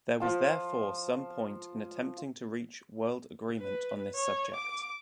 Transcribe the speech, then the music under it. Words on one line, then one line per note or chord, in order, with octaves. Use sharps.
There was therefore some point in attempting to reach world agreement on this subject.
F3 F4 A5
B4
C#5
D6